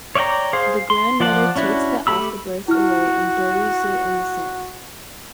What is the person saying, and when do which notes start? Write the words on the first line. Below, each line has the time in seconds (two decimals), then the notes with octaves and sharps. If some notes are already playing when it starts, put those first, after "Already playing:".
The grandmother takes the afterbirth away and buries it in the sand.
0.15 C#5 D5 E5 G5 A#5
0.53 G#4 C5 F5
0.90 C6
1.20 F3 F4 D5 F#5 A5
1.56 C#4 D4 E4 F#4
2.07 A3 G4 B5 E6
2.68 E4 F#4 F6